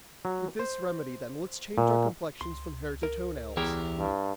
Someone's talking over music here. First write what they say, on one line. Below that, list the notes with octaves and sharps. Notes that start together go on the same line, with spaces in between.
With this remedy, then, let's change our complexions, from hair to toe-nails!
F#3
C5
A#2
C#2 C6
A#4
E2 E4 G4 G#4 A#4 G5
G2